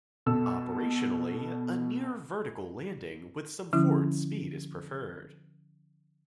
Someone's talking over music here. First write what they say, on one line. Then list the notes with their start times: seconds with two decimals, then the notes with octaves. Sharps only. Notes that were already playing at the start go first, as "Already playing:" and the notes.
Operationally, a near-vertical landing with some forward speed is preferred.
0.26 B2 A4 E6
3.73 D3 F3 C#4 E4